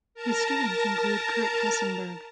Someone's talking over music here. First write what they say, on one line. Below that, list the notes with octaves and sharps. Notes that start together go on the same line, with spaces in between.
His students include Kurt Hessenberg.
A#4 A5 A#5